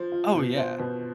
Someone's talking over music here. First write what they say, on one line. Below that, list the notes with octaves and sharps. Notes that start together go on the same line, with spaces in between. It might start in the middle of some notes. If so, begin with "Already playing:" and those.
Oh, yeah.
Already playing: F3 C5
F4
B2
C5
B2